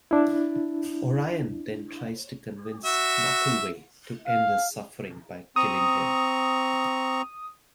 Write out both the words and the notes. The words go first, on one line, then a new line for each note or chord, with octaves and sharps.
O'Ryan then tries to convince Mackelway to end his suffering by killing him.
D4 E4
F#4 E5
F5
C4 A#5 C#6 D#6